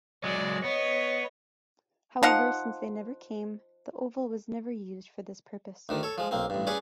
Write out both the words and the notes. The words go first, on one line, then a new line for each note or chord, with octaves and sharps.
However, since they never came, The Oval was never used for this purpose.
F#3 G#3 D5
B3 C#5 D#5
F3 D#4 F5 F#5
D2 D3 D#3
A4 C#5
F3 G#3
B1 A#3 C4
A1 G2
C#4 G#4 B4 C#5 D5 D6